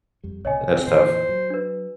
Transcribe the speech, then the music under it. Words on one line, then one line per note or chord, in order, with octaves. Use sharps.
That's tough.
F2 G3
C2 A#2 C#3 C#5 D#5 G#5
C4
F2 A#2 E3 C5
F#3
D4 B4